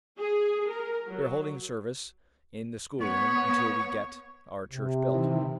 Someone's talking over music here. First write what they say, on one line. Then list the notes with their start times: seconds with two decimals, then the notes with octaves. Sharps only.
We are holding service in the schoolroom until we get our church built.
0.20 G#4
0.69 A#4
1.05 F#3
3.01 B3 C#5 C#6
4.72 C3
5.14 D#3 E3